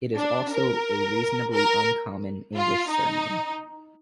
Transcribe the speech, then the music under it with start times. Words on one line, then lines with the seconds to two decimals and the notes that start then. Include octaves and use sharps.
It is also a reasonably uncommon English surname.
0.16 D4
0.51 A#4
1.53 A#4
2.56 F4
2.89 D#4